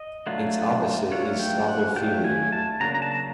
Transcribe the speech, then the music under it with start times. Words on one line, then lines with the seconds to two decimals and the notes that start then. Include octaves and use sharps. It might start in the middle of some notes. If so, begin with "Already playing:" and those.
Its opposite is Slavophilia.
Already playing: D#5
0.27 F#3 A3 D4 F4
1.11 F#3 A3 D4 F4 C#5
1.40 G5
1.68 F#5
1.96 F#3 A3 D4 F4 G5
2.24 G#5
2.52 A5
2.80 C#3 F#3 A#3 D4 A#5
2.94 A#5
3.02 A5